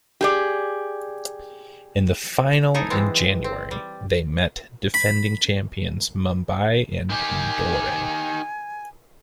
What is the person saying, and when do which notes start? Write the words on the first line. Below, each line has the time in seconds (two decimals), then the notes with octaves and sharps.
In the final in January, they met defending champions Mumbai in Indore.
0.21 G4 G#4 D5
2.74 D#4 E4 G#4 A4
2.90 E3 G#3 B3 C4
3.44 C4
3.71 G3
4.94 B5
7.10 D#3 G4 G#5